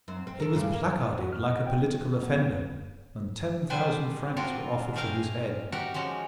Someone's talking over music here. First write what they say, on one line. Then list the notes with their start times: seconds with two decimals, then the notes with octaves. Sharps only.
He was placarded like a political offender, and ten thousand francs were offered for his head.
0.08 F#2 C4
0.27 C4
0.40 A4 A#4
0.53 D2 G2 C#3
0.73 A#3
1.19 F#4
1.33 F6
1.48 D#5
1.67 G5
1.83 C#4
2.23 B3
2.39 C4
2.56 F#2
3.70 G3 D4 B4 C5 G5 G#5
4.37 C4 D4 F4 F#4 A#4
4.96 A3 G#4 A#4 F5 G5 A#5
5.72 D#4 F#4 G4 A#4 F#5
5.94 F3 G#3 C#4 F#4